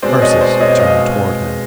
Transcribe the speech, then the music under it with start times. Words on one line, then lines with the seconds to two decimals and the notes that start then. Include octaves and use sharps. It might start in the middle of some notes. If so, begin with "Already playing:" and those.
Ursus turned towards him.
0.02 B2 G#3 C4 C5 D5
0.22 C#5 D#5
0.41 C5 D5
0.60 B2 G#3 C4 C#5 D#5
0.79 D#5 F5